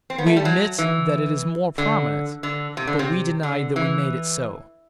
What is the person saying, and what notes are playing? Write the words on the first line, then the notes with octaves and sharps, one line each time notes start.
We admit that it is more prominent, but we deny that we made it so.
C4
B3
A3
G3
F#3
E3
D3
D3
C3
D3
C3
D3
E3